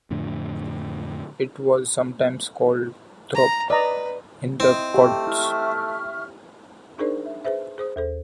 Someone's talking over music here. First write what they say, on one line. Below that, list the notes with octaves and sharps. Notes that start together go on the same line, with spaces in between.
It was sometimes called Thorpe in the Clottes.
F2 A2 D3
A#5
B4 D5 D#5 A#5
C4 E4 D#5
A3 G4
E4 E5 C#6 F6
D4 D#4 G#4 A#4 C5 D5
E5
G#4 B4 C5 E5
G#4 C5 D#6
D#2 A4 C5